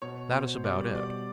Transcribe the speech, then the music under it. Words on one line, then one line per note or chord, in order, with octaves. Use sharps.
That is about it.
B2 C#5
B2 C5
G3 D5
B2 D5